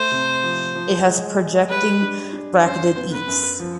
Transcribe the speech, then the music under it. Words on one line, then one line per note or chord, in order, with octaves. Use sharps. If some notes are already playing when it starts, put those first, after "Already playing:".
It has projecting bracketed eaves.
Already playing: A3 C5
C3
F3
F3
G#3
G#3
G3 B4
D4
D4
F#2 C5
B3
B4
F#2
F3